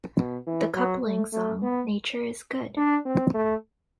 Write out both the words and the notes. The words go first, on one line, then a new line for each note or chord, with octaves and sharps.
The coupling song, Nature is Good!
B2
E3
F#3
A3
A3
B3
D4
C4
A3